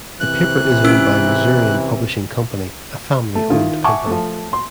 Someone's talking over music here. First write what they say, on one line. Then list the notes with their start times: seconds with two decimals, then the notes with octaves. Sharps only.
The paper is owned by Missourian Publishing Company, a family-owned company.
0.20 C3 E3 F#6
0.84 C#4 E4 E6
3.35 A3
3.50 D#3 E4 F4
3.84 E5 F#5 G#5 A5 C#6 D6
4.07 F3 A3
4.53 C6